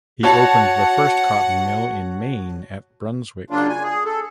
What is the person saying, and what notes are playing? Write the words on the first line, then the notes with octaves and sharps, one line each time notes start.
He opened the first cotton mill in Maine, at Brunswick.
F#4 C#5 F#5 A5
C#3 F#3 A#3 D4 F4
G#5
G#4
A4